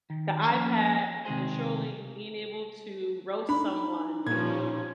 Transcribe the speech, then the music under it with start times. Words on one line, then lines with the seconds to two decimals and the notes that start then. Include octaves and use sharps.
The iPad, the scrolling, being able to roast someone,
0.10 D#3
0.49 F3 A#3 C#4 F5
1.25 C3 D#3 G#3 G#4 C5
3.49 D4 D#4 B5
4.27 A#2 F3 G3 C#4 G#6